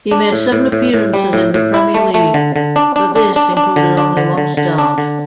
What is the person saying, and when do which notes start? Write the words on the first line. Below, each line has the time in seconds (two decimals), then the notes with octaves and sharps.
He made seven appearances in the Premier League, but this included only one start.
0.11 D4
0.33 A2
0.52 A2
0.72 A2
0.94 A2
1.14 G3
1.33 A2
1.54 A2
1.74 E4
1.94 A3
2.14 A3
2.34 D3
2.56 D3
2.76 D4
2.96 D4
3.15 D4
3.36 D4
3.57 D4
3.76 D3
3.97 D4
4.17 D3
4.38 D3
4.57 D3
4.78 D4
4.98 D3